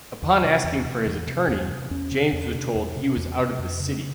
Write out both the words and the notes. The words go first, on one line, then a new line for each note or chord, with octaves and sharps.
Upon asking for his attorney, James was told he was out of the city.
E2
C3
E2
C3
E2
C3
E2
C3
E2 C#4
C3
E2
C3
E2
C3
E2
C3
F2
C#3